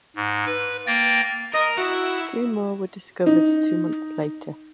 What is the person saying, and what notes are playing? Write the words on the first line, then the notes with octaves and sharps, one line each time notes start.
Two more were discovered two months later.
G#2
B4
A#3 G5 A6 A#6
A#4 D#5
E4 F#4 E5
D#4